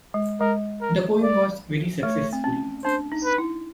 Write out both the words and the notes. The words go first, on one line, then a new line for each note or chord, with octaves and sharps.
The poem was very successful.
G#3
G#3 A#4
A#4
D5
A3 C#5
C4
C#4
D4 C5
D#4
B4
E4